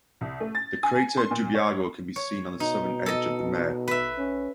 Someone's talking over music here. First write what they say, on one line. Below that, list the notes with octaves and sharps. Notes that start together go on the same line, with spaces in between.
The crater Dubyago can be seen on the southern edge of the mare.
C2
A3
A6
G#5
C6
A#2
C#5
C#5
B2 D#4
A4 D#5
B4 E5
C#4